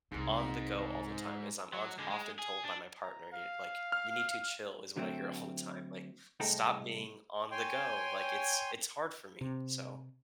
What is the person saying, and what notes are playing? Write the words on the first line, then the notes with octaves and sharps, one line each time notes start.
on the go all the time. As I'm on often told by my partner, you n like, "you need to chill," is what I hear all the time, like, "stop being on the go," like, it's it's hard for me. So,
C2 G#2 C4
F#3
D3 G#3
G#3
G#4
D4
A#5
F5
F6
D3 F#3 A3 C4
C2 A2 G#3 A4 G5 A#5
C#5 G5 G#5 C6
C3